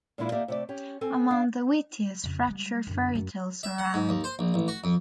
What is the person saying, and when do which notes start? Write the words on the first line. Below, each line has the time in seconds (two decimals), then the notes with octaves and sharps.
Among the wittiest fractured fairytales around.
0.18 A#2 E3 G#3 D4 E4 F4
0.32 A#3 D#4 G4 D5 E5
0.48 C3 A3 D5
0.69 C#4 G4
1.01 C4 A4 G#5
1.31 D4 F5 F#5
2.24 F2 C#3
2.47 G3 G#3
2.87 F#2 D3
3.15 F#2
3.63 E5
3.78 F#5
3.94 G#2
4.09 D#2
4.24 C5
4.39 A#1
4.54 A1
4.68 F#4
4.84 F2